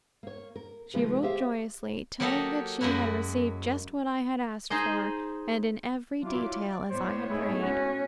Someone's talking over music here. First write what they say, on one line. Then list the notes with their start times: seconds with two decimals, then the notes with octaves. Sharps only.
She wrote joyously, telling that she had received just what I had asked for, and in every detail as I had prayed.
0.23 A#3 C#5
0.56 A#4
0.94 C3 D#3 F3 G#3 A3 B4
1.23 G4 G#4 C5 E5 F5
2.20 F#3 A#3 G4 A4 D#5 F5
2.81 F#2 G#3 A#3 E4 F#4
4.70 D#4 G#4 C5 D#5
6.22 F#3 D4 E4 F4 D6
6.61 D5
6.90 A2 B3 C5 C#5
7.30 G#3 A3 D#4 E4 G#4
7.62 C#4 F#4